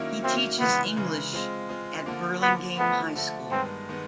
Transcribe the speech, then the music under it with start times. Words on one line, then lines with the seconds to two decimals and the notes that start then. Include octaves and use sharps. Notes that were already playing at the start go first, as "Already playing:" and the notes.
He teaches English at Burlingame High School.
Already playing: D#3 F#3 A#3 C#4 E4
0.24 D#3 F#3 A#3 C4 C#4 E4
0.60 C#3 E3 G#3 B3
0.96 C#3 E3 G#3
1.33 G#3 C4 F4
1.69 G#3 C4 F4
2.06 D3 F3 A#3
2.42 D3 F3 A#3 B3
2.79 D3 F3 A3 B3
3.16 D3 F3 A3
3.51 G2 D#3 G#3 B3 C4
3.89 D#3 G#3 B3